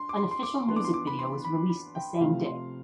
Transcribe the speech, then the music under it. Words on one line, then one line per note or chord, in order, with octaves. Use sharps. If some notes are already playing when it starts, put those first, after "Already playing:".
An official music video was released the same day.
Already playing: D4 C6
D6
C6
C6
D6
E3 B3 D4 C6
D6
C6
D6
B5
C6
B5
B5
G5
E5
C3 F3 A3 C4 F5
C6